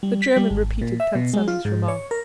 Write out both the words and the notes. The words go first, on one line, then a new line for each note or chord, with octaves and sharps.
The German repeated Tant Sannie's remark.
G3
B6
G3
G#1
A#2
E5
B2
G#3
F4
G#2
C#5
A#4